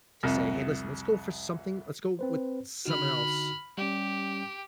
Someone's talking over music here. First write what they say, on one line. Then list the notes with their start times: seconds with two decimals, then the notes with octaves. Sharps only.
to say, "Hey, listen, let's go for something let's go with someone else,"
0.23 C2 F2
2.19 C4 B4 C5
2.85 D3 D#4 F#4 B5 F6
3.78 G3 C#4 G4